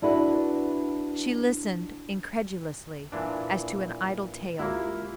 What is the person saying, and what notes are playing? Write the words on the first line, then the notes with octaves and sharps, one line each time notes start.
She listened incredulously, as to an idle tale.
D4 E4 F#4 B4
A#2 E3 D4
C#2 A#3 E4 F#4
F4 G4